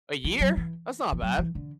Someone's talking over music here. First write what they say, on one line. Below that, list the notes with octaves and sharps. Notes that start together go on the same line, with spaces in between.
a year. That's not bad.
E3
F#3
E3
E3
F#3
E3
D3